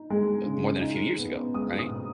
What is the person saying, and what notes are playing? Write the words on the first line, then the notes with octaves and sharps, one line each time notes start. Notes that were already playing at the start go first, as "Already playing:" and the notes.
more than a few years ago, right,
Already playing: D#4
G#3
C#3
D#4
B3
G#3 D#6
D#6
B2